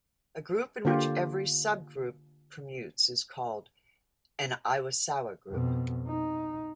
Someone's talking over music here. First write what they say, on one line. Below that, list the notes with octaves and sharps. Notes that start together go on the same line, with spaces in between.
A group in which every subgroup permutes is called an Iwasawa group.
D3 A#3 F4 G4
F2 B2
D#4